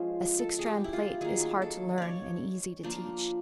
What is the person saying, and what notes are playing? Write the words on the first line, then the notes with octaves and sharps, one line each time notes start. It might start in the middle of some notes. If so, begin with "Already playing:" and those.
A six-strand plait is hard to learn and easy to teach.
Already playing: F3 G#3 C#4 C5
A4
G#4
G4
E4
F4
D#3 F#3 A#3 G#4
A4
C#5 D5
F3 A#3 D4